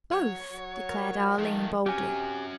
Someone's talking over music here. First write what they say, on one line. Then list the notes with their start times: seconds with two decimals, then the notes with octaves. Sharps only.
"Both," declared Arline boldly.
0.12 F#3 C#5
0.51 F#3
0.89 A#4
1.38 D#3 F3 A3
1.86 C3 C#4 F#4 G4 G#5